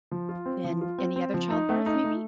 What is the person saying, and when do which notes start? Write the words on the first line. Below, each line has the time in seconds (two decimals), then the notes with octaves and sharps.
than any other childbirth, maybe?
0.11 F3
0.29 F4
0.46 C4
0.64 F3
0.81 F4
0.98 C4
1.16 C4
1.34 F3
1.51 D#4
1.69 A3
1.86 D#4
2.04 A3